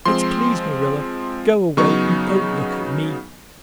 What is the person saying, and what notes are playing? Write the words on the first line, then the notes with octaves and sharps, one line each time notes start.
But please, Marilla, go away and don't look at me.
F3 G#3 C4 C6
C#3 F#3 B3 D#4 C#6